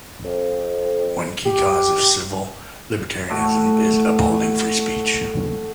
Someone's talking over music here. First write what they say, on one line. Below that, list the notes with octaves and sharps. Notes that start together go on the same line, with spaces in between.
One key cause of civil libertarianism is upholding free speech.
F2
G4
A2 A3 F#4